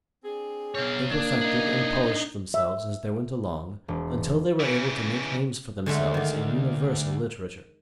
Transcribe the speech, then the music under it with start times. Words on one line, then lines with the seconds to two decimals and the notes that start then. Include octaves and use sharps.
They perfected and polished themselves as they went along until they were able to make names for themselves in universal literature.
0.24 C4 D4 G#4
0.75 B2 A#3 C#5
1.11 A#3 D4 G#4
1.41 D4 D#4
2.54 E5
3.88 E1
4.60 C#3 E3
5.86 D2 D3 G#3 A3
6.14 D#3 D5